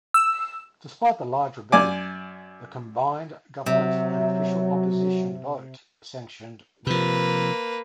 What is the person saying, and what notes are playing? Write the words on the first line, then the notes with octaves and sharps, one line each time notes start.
Despite a large rebellion, the combined Government and official Opposition vote sanctioned war.
E6
F#2 D5 G#5 D6
C3 F#3
C3 F3 A#3 B4